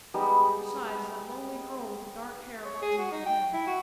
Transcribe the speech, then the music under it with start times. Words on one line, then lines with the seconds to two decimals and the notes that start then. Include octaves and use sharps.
Besides, that lonely girl with the dark hair runs in my head.
0.14 G3 G#3 B3 D#4
2.65 C#5
2.82 G#4
2.98 F#4
3.11 D#4
3.26 G5
3.53 E4
3.67 F#4